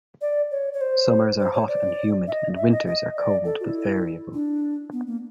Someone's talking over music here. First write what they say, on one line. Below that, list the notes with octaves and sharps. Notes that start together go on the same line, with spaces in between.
Summers are hot and humid and winters are cold but variable.
D5
C#5
C#5
C5
C5
C#5
D5
E5
D#5
E5
D#5
D#5
D5
A4
F#4
E4
D4
B3
A#3